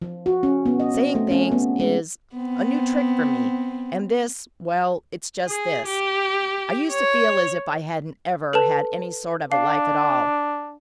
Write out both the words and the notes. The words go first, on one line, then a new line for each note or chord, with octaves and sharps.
Saying things is a new trick for me, and this--well, it's just this: I used to feel as if I hadn't ever had any sort of a life at all.
F3
F#4
C#4
B3
D#5
C4
A3
C#4
B3
G#3
B3 C4
G#4
G4
C#5
A4 B4 A5
D4 F5